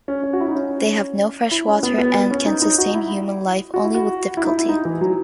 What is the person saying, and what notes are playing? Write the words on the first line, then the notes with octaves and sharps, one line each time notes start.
They have no fresh water and can sustain human life only with difficulty.
C#4
C#4
F#4
E4
D#4
C#4
E4
C#4
B3
B3
B3
C#4
D#4
D#4
F#4
E4
F#4
E4
F#4
E4
D#4
E4
E4
D#4
E3
F#3